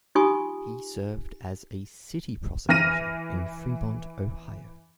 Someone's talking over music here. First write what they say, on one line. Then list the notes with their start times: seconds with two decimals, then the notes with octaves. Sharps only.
He served as a city prosecutor in Fremont, Ohio.
0.15 D#4 F4 G4 G#5 C#6 D#6
2.69 E3 F6 A#6 D#7